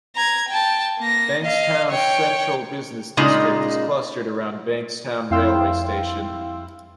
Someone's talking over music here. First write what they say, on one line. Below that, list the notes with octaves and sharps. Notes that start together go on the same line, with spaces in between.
Bankstown's central business district is clustered around Bankstown railway station.
A#5 G#6
G5 A5
A#3 A#6
D#5 F5
C#5 G5
A#2 C#3 G#3 D#4 D#5
F2 E4 F5 G5 C6 E6